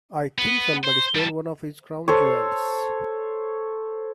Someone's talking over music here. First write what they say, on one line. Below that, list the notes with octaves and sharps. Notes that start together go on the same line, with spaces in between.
I think somebody stole one of his crown jewels.
B3
C5
G3 A4
A4 C5 C#5